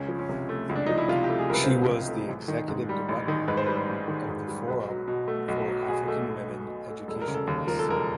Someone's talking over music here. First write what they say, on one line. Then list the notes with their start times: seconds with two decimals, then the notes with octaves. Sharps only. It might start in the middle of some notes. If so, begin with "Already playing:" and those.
She was the Executive Director of the Forum for African Women Educationalists.
Already playing: C#2 C#4
0.08 F3
0.19 C#4
0.29 C3
0.49 A3
0.69 C#2
0.76 D4
0.86 F3 D#4
0.98 E4
1.08 C3 F4
1.24 G4
1.29 A3
1.39 G#4
1.49 C#2 A#4
1.54 B4
1.64 C5
1.69 F3 B4
1.89 C3
2.08 A3
2.29 A1
2.48 D#3
2.68 G#2
2.89 G3
3.09 A1
3.28 D#3
3.48 G#2 B4
3.57 C5
3.67 G3 B4
3.78 C5
3.89 A1
4.08 D#3
4.28 G#2
4.48 G3
4.68 B1 B4
4.89 F#3
5.08 B2
5.28 A3
5.48 B1
5.68 F#3
5.88 B2 G#4
6.08 A3
6.28 B1
6.48 F#3
6.67 B2
6.88 A3
7.08 E1 A4
7.22 A#4
7.28 C#3
7.34 A4
7.47 D#2
7.67 F3 A#4
7.79 A4
7.88 E1 A#4